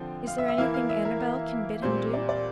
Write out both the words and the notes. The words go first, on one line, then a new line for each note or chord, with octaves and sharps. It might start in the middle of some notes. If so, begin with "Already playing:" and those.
"Is there anything Annabel can bid him do?"
Already playing: D3 F3 C4 G5
F5
E5
E5
E3 A#3 E4 F5
F5
E5
A#4
A#4
A#2 G3 C4 C5
D5
D5